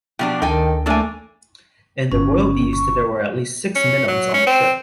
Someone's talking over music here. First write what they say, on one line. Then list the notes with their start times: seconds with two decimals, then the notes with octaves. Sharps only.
In the Royal Beast there were at least six Minims on the ship.
0.19 B2 F3 D4 G4
0.42 D2 D#3 A4 D#5 G5 G#5
0.86 E3 A3 A#3 D4 A4 G#5
2.12 G1 C#3 C#4
2.73 C#6
3.75 C#4
4.08 F#3
4.34 C#4
4.47 C4